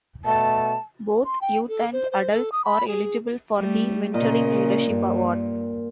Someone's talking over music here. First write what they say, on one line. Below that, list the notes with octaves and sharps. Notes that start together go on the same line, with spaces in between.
Both youth and adults are eligible for the Venturing Leadership Award.
B2 A3 A5
C6
G5
A4
C5
C5
A4
D#6
B5
G#4
G3 A3
A#2 C#3 D#5
G2